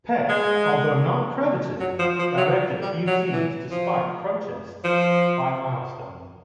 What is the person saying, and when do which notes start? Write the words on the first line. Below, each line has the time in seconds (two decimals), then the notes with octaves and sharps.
Peck, although not credited, directed a few scenes despite protests by Milestone.
0.29 G#3
1.80 F#3
1.99 F3
2.19 F3
2.37 F#3
2.82 G3
3.07 F#3
3.33 E3
3.71 F3
4.84 F3